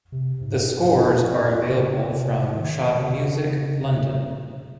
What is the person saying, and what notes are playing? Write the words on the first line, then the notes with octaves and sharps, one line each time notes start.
The scores are available from Schott Music, London.
C3
G#2
G#2
A#2
C#3
C3
D#3
D#3
C#3